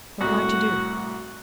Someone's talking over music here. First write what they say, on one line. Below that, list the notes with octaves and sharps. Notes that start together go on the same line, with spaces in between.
What am I to do?
C2 A2 F#4